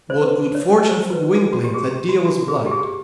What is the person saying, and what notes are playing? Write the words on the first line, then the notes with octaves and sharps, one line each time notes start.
What good fortune for Gwynplaine that Dea was blind!
C5
B4
C#5
C5
B4
A4
F#4
G4
G#4
G4
F#4
F#4
G#4
G4
G#4